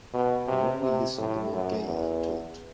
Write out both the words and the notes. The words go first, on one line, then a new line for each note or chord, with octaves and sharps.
The more we listened, the more gaily he talked.
B2
C3
C3
A2
F#2
E2